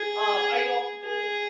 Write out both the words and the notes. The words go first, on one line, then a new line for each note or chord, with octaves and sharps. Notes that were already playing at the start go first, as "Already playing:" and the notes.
Um, are you also doing
Already playing: G#4
G#4